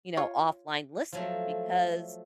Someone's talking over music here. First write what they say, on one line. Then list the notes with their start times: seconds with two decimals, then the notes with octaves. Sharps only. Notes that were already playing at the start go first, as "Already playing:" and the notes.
you know, offline listening because
0.17 F4 C#5
1.13 F3 F#3 A3